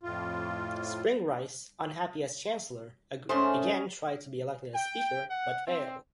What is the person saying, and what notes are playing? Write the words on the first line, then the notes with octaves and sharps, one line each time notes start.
Spring Rice, unhappy as Chancellor, again tried to be elected as Speaker, but failed.
F2 A2 F4
G#2 A3 C#4 G#4 C5
G5
F#5
C4